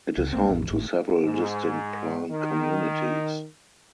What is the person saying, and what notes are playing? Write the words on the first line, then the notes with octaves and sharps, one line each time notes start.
It is home to several distinct plant communities.
C#2
B1 G#3 A#3 C4
A1 F2
G#1 A2
G#2
D#3